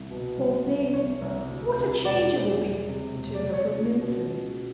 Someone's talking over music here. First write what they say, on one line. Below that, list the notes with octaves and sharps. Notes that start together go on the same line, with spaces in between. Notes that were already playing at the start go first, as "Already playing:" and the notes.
Poor thing! what a change it will be to her from Milton!
Already playing: C2
B2
C2
C2
C2 C#5
C2
D2
C3
E1 D5
E1
E1
C3
E1
D5
C3
C#5
C#2
B2
C#2
B2